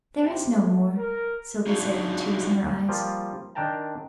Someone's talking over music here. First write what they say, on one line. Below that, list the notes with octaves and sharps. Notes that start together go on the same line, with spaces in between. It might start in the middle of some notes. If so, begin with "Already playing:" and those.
"There is no more!", Sylvie said with tears in her eyes.
C3
A3
A#4
D4 D#4 F4 F#4 G#4
F3 G3 A#3 F4
D#3 D4 A#4 G5 A5 A#5